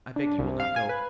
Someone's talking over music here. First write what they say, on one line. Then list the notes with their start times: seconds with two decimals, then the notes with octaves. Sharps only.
I beg you will not go.
0.16 D4
0.39 C2
0.60 F5
0.76 G#5
0.89 B4